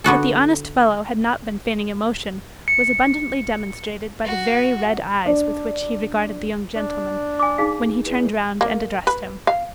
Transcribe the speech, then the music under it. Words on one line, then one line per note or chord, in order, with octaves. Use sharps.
That the honest fellow had not been feigning emotion, was abundantly demonstrated by the very red eyes with which he regarded the young gentleman, when he turned round and addressed him.
D3 B3 F#4 A4
C#7
F#4
D4
D4
G#5 D6
D#4 G#4 F5
E2
A#3
B4
F5